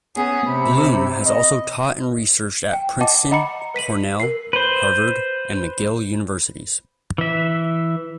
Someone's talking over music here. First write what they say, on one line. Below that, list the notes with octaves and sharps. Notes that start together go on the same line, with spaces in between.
Bloom has also taught and researched at Princeton, Cornell, Harvard, and McGill Universities.
B3 C#4 G#4
C3 B5
D#5
G5
D#5 F#5 A5 D6
D#5 F#5 A#5 B5 C#7
B4 B6 D#7 F#7
A#4 C7
B4 C5
E3 E5